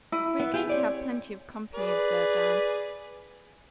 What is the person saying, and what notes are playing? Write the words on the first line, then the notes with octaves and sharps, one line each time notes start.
"We are going to have plenty of company," observed Anne.
E4
B3
G4 G#4
C4 C#5 D5
G#4 B4 D5